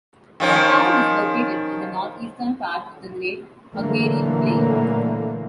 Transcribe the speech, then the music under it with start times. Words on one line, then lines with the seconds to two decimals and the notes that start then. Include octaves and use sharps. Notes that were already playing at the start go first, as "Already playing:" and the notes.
The town is located in the northeastern part of the Great Hungarian Plain.
0.40 D#3 F3 C#4
3.73 A#2 D3 E3 F#3 A3 A#3